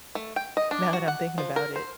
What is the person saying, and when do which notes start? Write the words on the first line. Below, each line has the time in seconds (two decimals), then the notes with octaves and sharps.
Now that I'm thinking about it.
0.15 A3
0.36 G5
0.57 D#5
0.71 D4
0.93 F#4
1.08 F#5
1.38 F3
1.56 A#4
1.76 C5